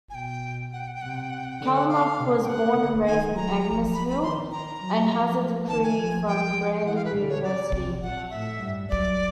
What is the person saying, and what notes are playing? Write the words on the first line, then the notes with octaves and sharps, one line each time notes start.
Kalynuk was born and raised in Angusville, and has a degree from Brandon University.
G#5
B2 G5
F#5
G5
F#5
G5
C3 F#5
G5
F#5
G5
F#5
G5
F#5
G5
D3 F#5
G5
F#5
F5
C3
G5
C#3 F#5
D3
D#3 G#5
F#3 A#5
F3
B5
B5
D#3 C6
A#5
F#3
F3
D#3 A5
G#5
F3
F3 G5
F3
E3 F#5
F5
B4
D3
C#5
C#3 D5
C3
A#2 F#5
A2 E5
G2
F#2 D5